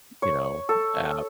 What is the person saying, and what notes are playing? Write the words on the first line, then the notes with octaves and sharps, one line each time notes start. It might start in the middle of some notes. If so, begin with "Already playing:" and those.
you know, um
C#5
A4